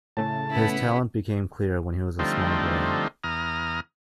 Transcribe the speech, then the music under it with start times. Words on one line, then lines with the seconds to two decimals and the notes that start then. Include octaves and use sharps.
His talent became clear when he was a small boy.
0.17 A2 C#3 A3 C#4 A5
0.50 B3 E4
2.19 D3 F3 G3 A3 C4 D#4
3.24 E2 A#5 D#6 F6